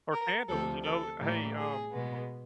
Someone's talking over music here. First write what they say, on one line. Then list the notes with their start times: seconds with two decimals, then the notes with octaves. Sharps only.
Or candles, you know, "Uh, hey, um,
0.13 A#4
0.48 D2 C3 F3 A4
0.83 A4
1.20 A2 E3 G3 A#3
1.54 G#4
1.90 B2 G#3 B3